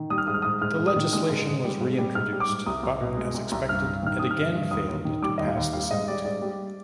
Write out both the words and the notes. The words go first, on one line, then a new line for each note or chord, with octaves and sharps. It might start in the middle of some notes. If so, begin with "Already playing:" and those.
The legislation was reintroduced, but, as expected, it again failed to pass the Senate.
Already playing: D#3
G3 D#6
F6
G#2 D#6
F6
G#2 D#6
G#2 F6
G#2
D#6
D#3
G#3 D#6
G#2
G#2
G3
G#2
G3
G#2 F6
G3
D6
G#2
C2 D#6
C2
B2
G#3
C2
C2
G2 F6
G2
D#3 F6
G3 D#6
F6
G2
G2
D#2 D#6
D#2
D#3
G3 D6
D#2 D#5
F5
D#2
G3 F5
G#2 D#5
G3 D5
G#2 D5
G3